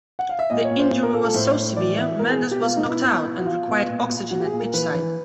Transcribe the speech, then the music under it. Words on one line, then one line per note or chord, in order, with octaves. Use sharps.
The injury was so severe Mendes was knocked out and required oxygen at pitchside.
F#5
F5
E5
A#2 D#5
C#5
A#2
C5
A#2 C5
A#4
A#2 A4
A4
A2 C5
A2
E3 D5
E3 E5
B2 A#4
G#4
B2
G4
B2 F4
D#4
B2
E4
B2
B2
F#4
B2 F4
B2
A#2
A#2
A#2 F#4
G4
G#4
A#2
A#4
E3 B4
E3